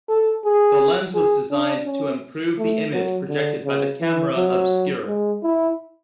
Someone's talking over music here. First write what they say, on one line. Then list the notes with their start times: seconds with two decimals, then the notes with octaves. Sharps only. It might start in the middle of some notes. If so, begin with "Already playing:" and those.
The lens was designed to improve the image projected by the camera obscura.
0.09 A4
0.45 G#4
1.15 G#4
1.51 D4
1.86 C#4
2.58 A3
2.93 F#3
3.28 D3
3.65 C#3
4.01 E3
4.36 F#3
5.07 G#3
5.43 E4